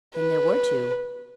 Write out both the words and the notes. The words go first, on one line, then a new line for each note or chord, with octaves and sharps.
"Then there were two?"
B4